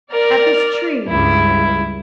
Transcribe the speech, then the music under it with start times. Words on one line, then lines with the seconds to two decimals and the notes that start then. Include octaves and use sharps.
'At this tree.
0.12 A#4 D5 F6
1.08 C#2 G2 E4